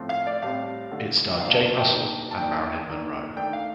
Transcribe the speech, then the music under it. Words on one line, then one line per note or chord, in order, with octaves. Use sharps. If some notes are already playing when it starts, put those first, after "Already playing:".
It starred Jane Russell and Marilyn Monroe.
Already playing: A2 F3 A3 C4
F5
D5
A2 G3 C4 F5
D3 A3 D4
D3 F3 A#3 D4 F5
A5
A5
G5
D#3 A#3 D4
A5
D#3 A#3 D4 G5
D#3 A#3 D4
D#3 A3 D4 G5
F5